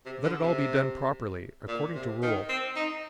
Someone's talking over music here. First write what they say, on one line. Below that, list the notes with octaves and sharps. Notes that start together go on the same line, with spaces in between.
Let it all be done properly, according to rule.
C3
D3
C3
A#2
C3
D#3
C4
D#4